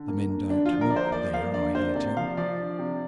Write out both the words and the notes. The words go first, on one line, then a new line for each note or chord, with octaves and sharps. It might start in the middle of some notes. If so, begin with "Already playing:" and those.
The men don't milk there, I hear tell.
Already playing: D3
A#3
D3
D3 D4
F3 F4
A#4
A#3 D5
C5
F3 D5
A#3 F5
D3 D5
A#3 C5
C3 D5
F3 F5
F3 D5
D4
C3